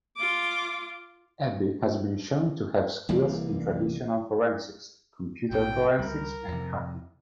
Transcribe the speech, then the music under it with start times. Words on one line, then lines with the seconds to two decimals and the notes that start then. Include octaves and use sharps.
Abby has been shown to have skills in traditional forensics, computer forensics, and hacking.
0.17 F4 D6
3.09 C2 E3 G3 A#3
5.51 A#1 G#2 B2 G5
5.99 C#2 G3 A#4
6.48 F2 C3